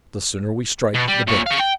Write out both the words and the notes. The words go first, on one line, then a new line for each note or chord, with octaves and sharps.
The sooner we strike the better.
B2
G3
A#2 C#5
C#5 F5
G5